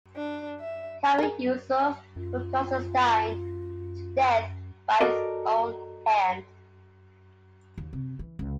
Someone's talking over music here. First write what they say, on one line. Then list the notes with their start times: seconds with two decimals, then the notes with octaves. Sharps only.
Kara Yusuf put Constantine to death by his own hand.
0.16 D4
0.61 E5
1.18 G#4 A#4
2.16 F#2 F4
5.01 F#4 A4 A#4 D5 D#5
7.78 D#2
7.93 C3
8.19 E3
8.39 C#2